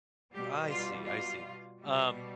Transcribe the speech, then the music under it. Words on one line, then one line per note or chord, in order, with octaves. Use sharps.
I see, I see. Um,
B2 G3 G4
F4
F4
B2 G3